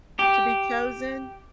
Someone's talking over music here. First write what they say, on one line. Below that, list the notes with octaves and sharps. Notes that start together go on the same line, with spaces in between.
to be chosen.
G4